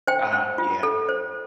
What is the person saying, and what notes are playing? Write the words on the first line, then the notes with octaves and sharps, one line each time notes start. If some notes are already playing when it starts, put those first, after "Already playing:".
Ah, yeah.
C5 G5
C5
F4
A4
C5